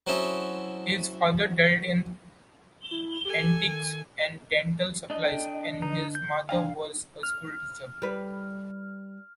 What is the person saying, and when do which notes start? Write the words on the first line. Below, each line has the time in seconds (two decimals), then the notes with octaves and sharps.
His father dealt in antiques and dental supplies, and his mother was a schoolteacher.
0.07 F#3 C4 C#4 E4 A4 D#5
2.91 E4
3.25 G4 A4 G#5
3.64 D#3
5.10 D4 D#5
5.25 A4 G5
5.82 D3 D#4
6.15 G6
6.49 D4 D5 F5 G5 G#5
7.23 F6
8.02 G3 B4